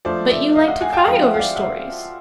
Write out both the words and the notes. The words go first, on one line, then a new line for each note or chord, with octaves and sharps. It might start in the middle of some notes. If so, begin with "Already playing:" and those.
"But you like to cry over stories?"
F3 A3 D4 C5 D5
D5 E5
D#5 F5
E5 F#5
F#5 G#5
G5 A5
F3 G#3 C4 F5 G5
E5 F#5
F5
D5 E5
E5 F#5